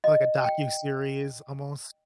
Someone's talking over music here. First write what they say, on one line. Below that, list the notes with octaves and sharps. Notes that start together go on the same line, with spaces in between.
Like, a docuseries almost?
D#5
G5